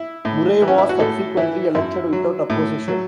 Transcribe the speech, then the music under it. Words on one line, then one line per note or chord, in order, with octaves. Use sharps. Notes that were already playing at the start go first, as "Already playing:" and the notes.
Murray was subsequently elected without opposition.
Already playing: E4
A2
E3
C#4
E4
F#4
A2 A4
E3 E4
F#2 E4
F#3
A2
F#3